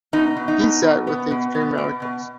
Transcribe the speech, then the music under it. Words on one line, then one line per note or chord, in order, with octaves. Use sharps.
He sat with the extreme radicals.
B2 D#4
B2
D#4
B2
B2
B3
B2
B3
B2
B2